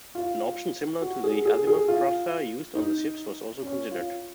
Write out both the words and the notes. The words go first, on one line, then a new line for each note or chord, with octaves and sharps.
An option similar to the Azimuth thruster used on the ships was also considered.
F4
F#4
G#4
G#4
G#4
F4
D#4
C#4
F4